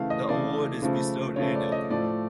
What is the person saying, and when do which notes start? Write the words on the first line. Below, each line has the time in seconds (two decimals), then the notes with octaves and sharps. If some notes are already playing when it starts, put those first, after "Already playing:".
The award is bestowed annually.
Already playing: C#3 E3 A3 F5
0.10 D#5
0.28 C#3 E3 A3 D5
0.82 C#3 F3 A3
1.36 C#3 F3 A3 C#5
1.55 D5
1.72 D#5
1.90 A2 F3 A3 D5